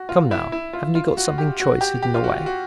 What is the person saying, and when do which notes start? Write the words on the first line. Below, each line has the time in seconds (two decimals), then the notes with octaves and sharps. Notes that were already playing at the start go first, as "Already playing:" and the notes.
Come, now, haven't you got something choice hidden away?'
Already playing: F#4
0.09 F4
0.31 E4
0.52 E4
0.73 F4
0.95 F4
1.17 F#4
1.38 G4
1.60 F#4
1.81 G4
2.03 G4
2.14 F4
2.24 F#4
2.46 F#4